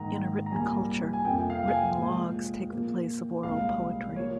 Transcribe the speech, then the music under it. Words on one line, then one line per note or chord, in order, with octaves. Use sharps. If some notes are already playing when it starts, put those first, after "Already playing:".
In a written culture, written logs take the place of oral poetry.
Already playing: G#2 D#3 A#3 A#5
A#5
C2 A#2 G3 A#3 G#5
G#5
F2 C3 F3 A#3 G5
F5
G#5
G5
A#2 F3 G#3
A#2 F3 A#3
C2 A#2 G#3 F5
F3 A#3 C#5